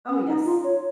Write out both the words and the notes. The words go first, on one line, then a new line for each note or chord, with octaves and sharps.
Oh yes.
C#4
D#4
F4
C#5